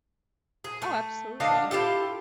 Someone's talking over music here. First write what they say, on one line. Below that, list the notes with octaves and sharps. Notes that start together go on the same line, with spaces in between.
Oh, absolutely.
G#4
A3
D3 D4 D#5 F5
E4 F4 G4 A4